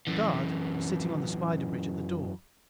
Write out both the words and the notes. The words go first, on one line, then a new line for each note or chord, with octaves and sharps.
"The guard was sitting on the spider bridge at the door."
F#2 E3